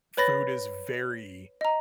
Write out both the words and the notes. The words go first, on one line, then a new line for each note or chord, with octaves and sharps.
food is very
B4 C#5 B5 A6 A#6
D#5 A#5